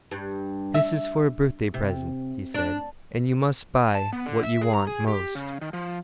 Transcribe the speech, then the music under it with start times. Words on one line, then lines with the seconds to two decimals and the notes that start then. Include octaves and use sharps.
"This is for a birthday present," he said, "and you must buy what you want most."
0.11 G2
0.74 E5
1.74 C3
2.54 D4
3.95 A5
4.13 B3
4.26 D3
4.43 E5
4.61 G#4
4.74 A#5
4.87 G#4
5.08 G4
5.35 C#3
5.61 D#3
5.73 F3